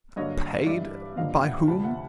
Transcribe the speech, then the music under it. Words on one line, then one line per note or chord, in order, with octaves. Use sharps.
"Paid, by whom?"
G2 D3 F#3 A#3 C#5 D#5
G2 E3 G3 D5 E5
G2 D3 F3 A#3 D#5 F5
G5
E5 F#5
D2 C3 F3 A5 B5
E5 F#5